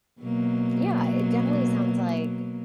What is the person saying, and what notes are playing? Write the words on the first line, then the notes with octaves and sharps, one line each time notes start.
Yeah, it definitely sounds like
B2 F#3 A#3